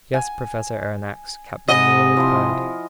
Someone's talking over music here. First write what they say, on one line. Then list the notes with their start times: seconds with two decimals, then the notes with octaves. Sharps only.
"Yes, Professor Aronnax," Captain Nemo replied.
0.14 G#5
1.68 C3 D#5 F#5 G#5 B5
2.17 F3 E4 C6